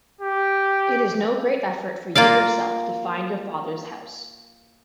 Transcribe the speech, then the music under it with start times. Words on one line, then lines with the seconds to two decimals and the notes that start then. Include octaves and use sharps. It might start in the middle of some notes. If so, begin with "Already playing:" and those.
It is no great effort for you yourself to find your father’s house.
0.21 G4
2.15 A#3 F4 D5 F5